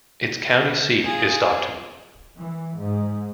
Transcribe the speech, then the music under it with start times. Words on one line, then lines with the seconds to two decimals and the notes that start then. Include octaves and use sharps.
Its county seat is Stockton.
1.04 F4 G#4
2.37 E3
2.79 G#2